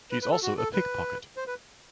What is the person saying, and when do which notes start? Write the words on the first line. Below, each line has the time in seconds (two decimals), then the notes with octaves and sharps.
She is also a pickpocket.
0.11 B4
0.22 B4
0.32 A4
0.43 F#4
0.58 A4
0.74 B4
1.37 C5
1.47 B4